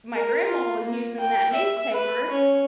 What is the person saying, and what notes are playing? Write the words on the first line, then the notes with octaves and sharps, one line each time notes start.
my grandma was using that newspaper
A#4
F4
A#3
G5
E5
B4
C#4